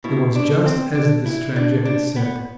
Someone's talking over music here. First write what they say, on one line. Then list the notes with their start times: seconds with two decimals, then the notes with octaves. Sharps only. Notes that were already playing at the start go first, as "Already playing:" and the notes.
It was just as the stranger had said.
0.04 B2 E4
0.35 D4
0.66 C4
0.95 D4
1.26 E4
1.56 D4
1.85 D4
2.16 B3